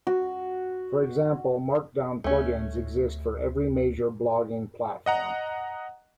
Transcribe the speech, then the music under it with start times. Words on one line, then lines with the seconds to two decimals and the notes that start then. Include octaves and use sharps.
For example, Markdown plugins exist for every major blogging platform.
0.07 F#4
2.24 D2 A3 C#4
5.06 D#5 F#5 A#5